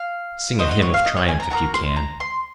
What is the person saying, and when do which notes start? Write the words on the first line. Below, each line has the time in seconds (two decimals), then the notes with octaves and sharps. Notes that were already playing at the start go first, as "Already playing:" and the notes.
Sing a hymn of triumph if you can....
Already playing: F5
0.59 C4 D#5
0.63 F#4
0.71 D#5
0.82 C#5
0.94 F5
1.05 D#5
1.17 C#5
1.28 G#5
1.40 A#5
1.50 A#3 D#4 F#4 A#5
1.74 C6
1.96 A#5
2.20 C6